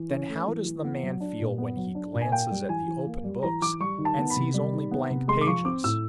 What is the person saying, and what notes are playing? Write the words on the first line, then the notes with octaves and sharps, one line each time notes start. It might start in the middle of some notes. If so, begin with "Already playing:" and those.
Then how does the man feel when he glances at the open books and sees only blank pages?
Already playing: E3
C#4
A3
E3
E3
B3
F#3
D4
A#2
B3
F#3
D4
A#2
G#5
A#3 G5
G3
E3 G#5
E3
A#3
G3
E3 A#5
E3 D6
G3 C#6
D#3
A5
B3
B5
C3
G3
D#3
B3
C3
G#3 C6
D6
F3 C#6
C4 D6
A2 E6